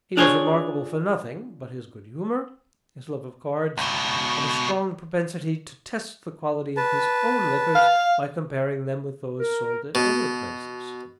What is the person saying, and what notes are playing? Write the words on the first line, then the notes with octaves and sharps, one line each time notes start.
He was remarkable for nothing but his good-humor, his love of cards, and a strong propensity to test the quality of his own liquors by comparing them with those sold at other places.
D4 F4 G#4 C5 C#5
C#2 B2
B4 A5
F5
A#4
B2